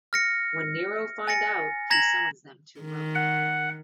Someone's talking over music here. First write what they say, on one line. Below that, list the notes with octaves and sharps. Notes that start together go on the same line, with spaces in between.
When Nero find out, he summons them to Rome.
F6 A#6 C#7
G#5 A6 A#6 C#7
A#5 G#6 A#6 B6 E7 F#7
D#3
F#5